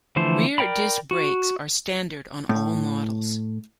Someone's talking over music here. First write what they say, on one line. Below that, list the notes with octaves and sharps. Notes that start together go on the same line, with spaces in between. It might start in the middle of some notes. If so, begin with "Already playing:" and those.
Rear disc brakes are standard on all models.
D3 E3 F3 A3 C5
A#4 D5 G5 A#5 B5
F#4
A2